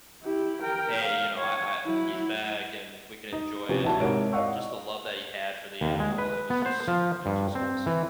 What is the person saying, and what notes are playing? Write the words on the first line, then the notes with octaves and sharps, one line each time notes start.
"Hey, you know, I I he's back, and we can enjoy it," and just the love that he had for the animal, it was just it was just awesome.
E4 G4
A#4 G5
F5
C#5
F#3 E4
D#4
C3 F3 C#4 E4 G4
A#1 E4 F#4 A5
G#2 C3 E4 A#4 C#5 D7
D5 D#5 F5 F#5 C#6 E6
D#2
G#3
B4
B3
C5
F3
G2
C4
E3